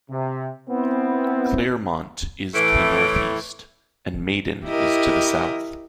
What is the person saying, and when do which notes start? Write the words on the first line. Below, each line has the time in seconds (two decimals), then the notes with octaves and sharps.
Claremont is to the northeast, and Maiden is to the south.
0.11 C3
0.70 B3 C4 E4
2.55 A2 E3 A3 D7
4.66 E4 G4 A#4 D#5